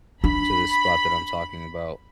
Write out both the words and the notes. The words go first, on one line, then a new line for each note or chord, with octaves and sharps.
to the spot that I'm talking about.
D4 B5